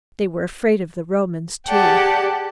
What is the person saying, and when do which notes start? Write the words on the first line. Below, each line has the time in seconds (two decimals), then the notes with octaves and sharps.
They were afraid of the Romans too.
1.68 G4 G#4 D5 F#5 G5 A5